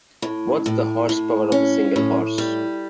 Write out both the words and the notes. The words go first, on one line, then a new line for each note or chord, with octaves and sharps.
What's the horsepower of a single horse?
A2
A2
A2
C#4
A2
G3